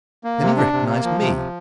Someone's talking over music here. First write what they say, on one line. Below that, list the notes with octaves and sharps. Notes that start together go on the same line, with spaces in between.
Then he recognised me.
A#3
C3
D4
C3
A#3
F3
C3
F3